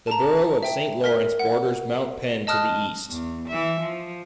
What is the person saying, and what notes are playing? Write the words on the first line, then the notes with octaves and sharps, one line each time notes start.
The borough of Saint Lawrence borders Mount Penn to the east.
A5 A#5
E5 G5
A#4 A#6 B6
F#5
D#5 A5 D#6 F6 F#6
E2
E3 E5
F3